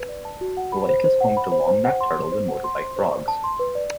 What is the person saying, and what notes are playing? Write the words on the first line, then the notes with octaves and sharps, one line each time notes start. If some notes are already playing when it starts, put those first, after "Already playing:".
The Lake is also home to long neck turtles and motorbike frogs.
Already playing: B4
D5
A5
F#4
F#5
B5
C5
C5
F#5
B5
C5
C5
F#5
C6
C5
C5
F#5
C6
C5
C5
D5
A5
C6
B4
D5